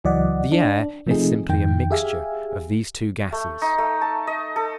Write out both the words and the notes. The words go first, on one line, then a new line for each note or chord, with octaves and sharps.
The air is simply a mixture of these two gases.
C#2 E3 F#3 D5 D#5 F#5
D4
C3 F3 A3 C4 D#4 G#4
F2 D#3 G5
G4 G#4 E5 F5 G#5
A3
D#4
A3
A5
D#5
A4